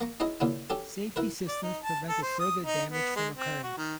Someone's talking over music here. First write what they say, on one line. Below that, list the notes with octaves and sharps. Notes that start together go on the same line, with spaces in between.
Safety systems prevented further damage from occurring.
A#3 A#5 C#6
C#4 D#4 E4 G#4 D#5
A#2 C#3 C#4 E4
C#4 G4 A4
E4 A#4 B4
D5
D#4
A5
A4
C5
D#6
D#4
B3
G#3
C4
F#4
D#3